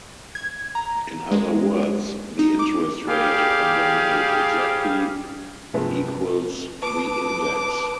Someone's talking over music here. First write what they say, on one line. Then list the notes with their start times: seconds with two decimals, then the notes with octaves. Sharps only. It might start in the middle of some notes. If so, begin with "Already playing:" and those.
In other words, the interest rate on the note exactly equals the index.
0.35 G#6
0.75 A#5
1.32 G#3
2.39 D#4
2.59 D6
3.07 G3 G4 G#4 F5
5.74 C2 G2 F3 G#3 A3 B3
6.82 B4 A5 D6 D#6